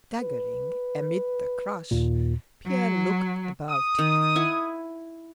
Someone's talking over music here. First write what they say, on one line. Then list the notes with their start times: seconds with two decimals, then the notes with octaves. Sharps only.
Staggering amid the crush, Pierre looked about him.
0.21 B4
1.91 D#2 A#2
2.66 F#3
3.69 D#6
3.99 D#3
4.36 E4 F#5 G#5